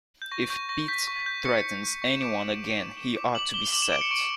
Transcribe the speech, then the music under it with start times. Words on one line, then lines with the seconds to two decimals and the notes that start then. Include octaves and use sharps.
If Pete threatens anyone again he ought to be sacked.
0.22 G6
0.31 C#6 A#6
0.50 C#6 G6
0.69 C#6 A#6
0.88 G6 B6
1.07 C#6
1.26 G6
1.45 C#6 C#7
1.64 C#6
1.84 C#6
2.02 C#6
2.16 E7
2.21 D6 D7
2.40 D6 F#7
2.53 E7
2.59 D6
2.66 D7
2.78 D6 E7
2.97 D6
3.16 D6
3.35 D6 F#7
3.54 D6 G7
3.73 D6 F#7
3.82 E7
3.92 D6 D7
4.01 C#7
4.11 C#6 D7